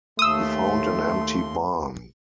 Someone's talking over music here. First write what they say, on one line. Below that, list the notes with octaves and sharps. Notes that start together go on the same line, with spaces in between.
He found an empty barn.
D#2 A3 C6 D#6 E6